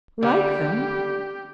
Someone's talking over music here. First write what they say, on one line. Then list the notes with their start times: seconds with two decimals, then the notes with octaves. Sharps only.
"Like them!"
0.23 D3 G3 G4